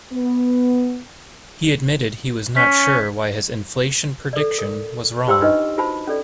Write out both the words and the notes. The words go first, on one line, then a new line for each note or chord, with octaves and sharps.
He admitted he was not sure why his inflation prediction was wrong.
B3
C#4 B6
A4 D5
A#4
G4 C5 G5 C6 E6
D4 D#4 F4 B4 D#5 C#6
F4 F#4 C5 A5 B5
C#4 A4 D5